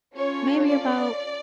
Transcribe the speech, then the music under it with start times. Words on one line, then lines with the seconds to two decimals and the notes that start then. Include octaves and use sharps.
maybe about
0.15 C#4 F4 A4 C#5
0.67 D5